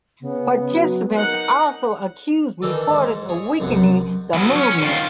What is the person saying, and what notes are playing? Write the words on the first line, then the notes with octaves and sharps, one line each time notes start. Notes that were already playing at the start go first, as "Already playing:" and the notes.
Participants also accused reporters of weakening the movement.
C#3 B3
F#3
D#4 A#4 F#5
D#3 E3 G#4 A4 D5
G#2
G#4 C#5
B1 F#2 C3 F#5
F#3 B3
C#4 C#5
D#3 F4